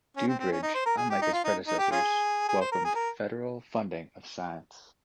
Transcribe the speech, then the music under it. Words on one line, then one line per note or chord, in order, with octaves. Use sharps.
DuBridge, unlike his predecessors, welcomed federal funding of science.
C#4
C4
C4
C#4
D#4
C5
A#4
G#4
G4
D#4
F4
D#4
D#4
G4
C#4 F4 G#4
G#4
C5
A#4
G#4
A#4